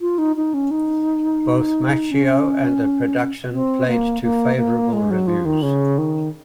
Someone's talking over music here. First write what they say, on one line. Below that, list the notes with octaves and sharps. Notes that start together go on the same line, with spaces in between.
Both Macchio and the production played to favorable reviews.
F4
D#4
D#4
C#4
D#4
C#4
C4
A#3
A#3
A#3
G#3
F#3
F3
D#3
C#3
D#3